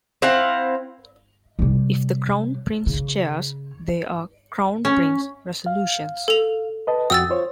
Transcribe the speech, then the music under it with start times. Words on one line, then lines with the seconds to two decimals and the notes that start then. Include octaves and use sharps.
If the Crown Prince chairs, they are Crown Prince resolutions.
0.22 C4 E4 F5 F#5
1.59 C3 G3
2.86 C#3
4.85 C#4
5.66 F5
6.28 A4 F7
6.87 B4 D#5 A5
7.10 F2 F#4 G5 D#6 E6 A6
7.30 F4 C5 C#5